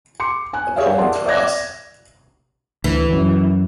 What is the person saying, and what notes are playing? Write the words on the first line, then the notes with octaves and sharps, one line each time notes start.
A poem for us.
C6 D6 C#7
G#5 F#6
G4 G#4 C#5 D5 E5 F5
A#4 D5 E5 F#5 A5 C6
D5 E5 D6 F#6 G#6 A#6
D2 E3
F#2